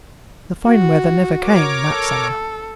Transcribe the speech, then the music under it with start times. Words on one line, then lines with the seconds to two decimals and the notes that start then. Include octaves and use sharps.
The fine weather never came that summer.
0.67 F#4
1.43 A#4 C#5 D6
1.90 A4